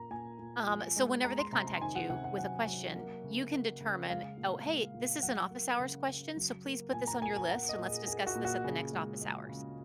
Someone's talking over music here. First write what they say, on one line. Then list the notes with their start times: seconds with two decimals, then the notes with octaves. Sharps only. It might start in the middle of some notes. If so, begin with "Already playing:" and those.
Um, so whenever they contact you with a question, you can determine, "Oh, hey, this is an office hours question, so please put this on your list and let's discuss this at the next office hours."
Already playing: A#2 A#3 A#5
0.11 A#2 G#5
0.39 A#2
0.67 F3
0.96 G#3
1.24 G#3 A#5
1.39 C6
1.52 C3 A#5
1.67 A#5
1.81 D#3 G#5
1.95 F#5
2.10 C3 F#5
2.24 F#5
2.38 F#3 F#5
2.67 F#3
2.96 A#3
3.24 C#3
3.52 A#3
3.80 C#3
4.09 G#3 F5
4.37 A#2
4.66 G#3
4.94 A#2
5.23 F#3 F#5
5.51 A#3
5.80 C#3
6.08 C#3
6.36 F#3
6.65 A#3
6.93 A#2 G#5
7.07 A#5
7.22 A#2 G#5
7.36 G#5
7.50 A#3 F#5
7.69 D#5
7.78 A#2
7.88 G#4
8.07 A#3 G#4
8.27 F#4
8.35 A#2
8.45 F#4
8.64 C#3 G#4
8.93 G#3
9.21 G#3
9.49 C#3